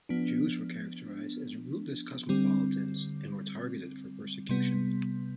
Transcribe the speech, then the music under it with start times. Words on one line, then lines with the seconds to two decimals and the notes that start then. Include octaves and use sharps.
Jews were characterized as rootless cosmopolitans and were targeted for persecution.
0.09 F3 B3 D4
2.29 D3 G3 C4
4.49 C3 G3 B3